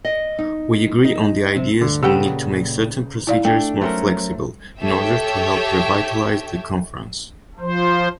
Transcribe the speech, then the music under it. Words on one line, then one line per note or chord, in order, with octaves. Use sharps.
We agree on the ideas and need to make certain procedures more flexible in order to help revitalize the Conference.
D#5
D#4
D#4
C3
D2 G2 D3
A#2 C#3 G4 A4 B4 F#5 G5
E4 D5 F5
A3 D4 G5
F#3 A3 C#4 A#4 C5
G4 A4 C#5 E5 G5
F3 C5